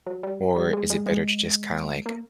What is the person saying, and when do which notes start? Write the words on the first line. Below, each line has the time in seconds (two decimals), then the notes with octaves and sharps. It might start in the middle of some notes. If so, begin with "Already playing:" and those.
or is it better to just kinda, like,
0.06 F#3
0.23 G3
0.56 G3
0.73 G#3
0.90 G#3
1.06 G#3
2.06 A#3